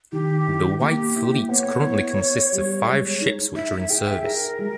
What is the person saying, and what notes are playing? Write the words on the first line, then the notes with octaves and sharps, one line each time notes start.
The White Fleet currently consists of five ships which are in service.
D#3 G4
E4
A#3 G4
E4
B3 C#5
E4
B3
G3
G#3
D#4
D#4 E5
E5
G#4 G5
E5
G#4 A#4
G#3